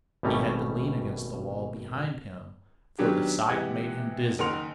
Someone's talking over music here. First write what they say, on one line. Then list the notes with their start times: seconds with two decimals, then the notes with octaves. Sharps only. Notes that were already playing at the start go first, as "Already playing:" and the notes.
He had to lean against the wall behind him, for the sight made him dizzy.
0.23 G#1 B2 G3 A3 C#4 A#5
2.98 D#3 F#3 B3 C#4 D4 G4
3.49 C3 E3 G#3 G4 F#5 G#6
4.39 F#1 D#3 A#4 F#5 C6 F7